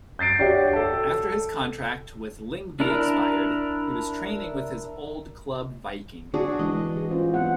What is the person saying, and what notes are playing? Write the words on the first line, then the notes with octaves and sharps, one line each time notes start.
After his contract with Lyngby expired, he was training with his old club Viking.
G6 A6 C7 D7
D4 F#4 G4 C#5 E5
A4 A5
D4 E4 A#4
D4 F#4 G#4
E3 G#3 D#5
G#4
C#4 F4 C5
B3 C4 F#5